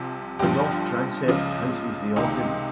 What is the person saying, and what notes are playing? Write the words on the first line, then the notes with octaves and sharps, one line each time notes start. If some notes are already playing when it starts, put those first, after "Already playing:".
The north transept houses the organ.
Already playing: C2 C3 F3
G1 G2 F3 G4
C#2 C#3 F3
C#2 C3 D#3 D#4